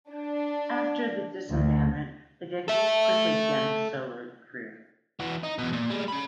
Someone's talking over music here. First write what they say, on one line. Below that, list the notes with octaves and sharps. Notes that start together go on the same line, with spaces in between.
After the disbandment Hideki quickly begin his solo career.
D4
D2
A4 E5
E3 F#4
D#4
E2 B2
A#2
G3 G#3
C#4 B5